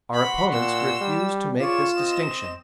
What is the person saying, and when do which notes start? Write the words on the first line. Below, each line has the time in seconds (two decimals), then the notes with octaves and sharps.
Our opponents refuse to make this distinction.
0.13 F#4 F#5 B5 C6
0.53 A#2 E6
1.01 G3
1.60 F4 G#4 C#5 D5 E7
1.98 C4 D#5